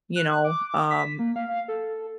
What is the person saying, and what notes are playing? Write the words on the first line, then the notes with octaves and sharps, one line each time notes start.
you know, um,
F#6
D6
B6
A#3
F5
A4